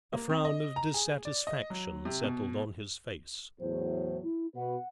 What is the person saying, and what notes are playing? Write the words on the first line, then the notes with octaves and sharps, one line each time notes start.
A frown of dissatisfaction settled on his face.
A#3
C4
D#5
A#5
G#4
D5
D#5
F#3
C3
B2
E2 A2 F#3 C5
E4
B2 B4 F#5